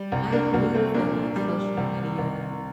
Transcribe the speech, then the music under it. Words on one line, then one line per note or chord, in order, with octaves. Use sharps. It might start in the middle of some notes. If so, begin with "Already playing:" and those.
I do feel like social media
Already playing: G3
C2
A#3 D4
C2 A#3
A3 C4
A#2 A#3 D4
G3
C2
C2